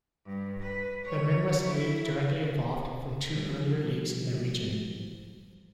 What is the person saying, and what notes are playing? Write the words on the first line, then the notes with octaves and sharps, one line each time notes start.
The Midwest League directly evolved from two earlier leagues in the region.
G2
B4
C#5
E4
E3 F3 G3